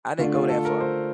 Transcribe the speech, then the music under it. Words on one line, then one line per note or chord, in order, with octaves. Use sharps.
I didn't go that far.
D3 A3 D4 F4
F4
A4
A#4
C5